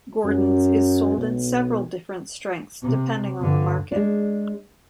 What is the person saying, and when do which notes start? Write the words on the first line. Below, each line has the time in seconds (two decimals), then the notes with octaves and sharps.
Gordon's is sold in several different strengths depending on the market.
0.25 F#2
1.16 B1
2.82 C3
3.39 G2 D3
3.92 G#3 D4